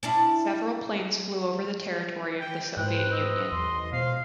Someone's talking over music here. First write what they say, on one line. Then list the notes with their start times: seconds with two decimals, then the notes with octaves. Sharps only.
Several planes flew over the territory of the Soviet Union.
0.03 C#4 D4 E4
2.40 G5
2.77 G#2 B4 C5 G5 F#6
3.12 D#5 E6
3.52 A1 E2 C6
3.92 C#2 B2 C5 F5 C7